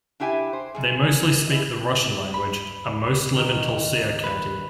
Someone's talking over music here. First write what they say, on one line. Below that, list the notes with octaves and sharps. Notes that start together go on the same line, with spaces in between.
They mostly speak the Russian language, and most live in Tulcea County.
D4 E4 G4 E5 G#5
C5
G#2 G#4
E4 G#4 D#5
B5
D#3
B4